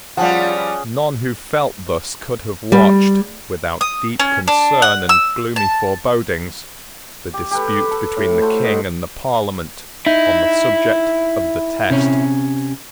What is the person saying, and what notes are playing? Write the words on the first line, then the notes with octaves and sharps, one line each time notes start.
None who felt thus could have watched, without deep concern and gloomy forebodings, the dispute between the King and the Parliament on the subject of the test.
F3 G3 C#4 F4 G#4 F#5
G3
D#6
C#4
D4
F#5
E6
A5
G4
G4 A4 B4
A4
A2
F#4 A4 C5
F#4 D#5
D#4 E4 E5
C3 C#4